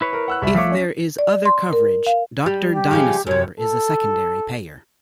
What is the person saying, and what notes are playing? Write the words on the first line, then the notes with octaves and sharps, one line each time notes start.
If there is other coverage, Doctor Dynasaur is a secondary payer.
E4 B4 C#5
A#4
F#5 E6 F#6
C2 E5 B5
F3 A3 C#5 E5 F5 D6
C#4 B6
D5
C6
A#4
F5
G3
G4
C#3 F3 G#3
F#2 C3 C#5
A4